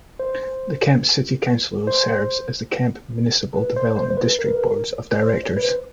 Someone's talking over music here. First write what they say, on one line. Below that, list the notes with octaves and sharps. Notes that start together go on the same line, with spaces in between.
The Kemp City Council serves as the Kemp Municipal Development District Board of Directors.
C5
C5
B4
C5
C5
C5
B4
A#4
B4
A#4
C5
C#5
B4
C5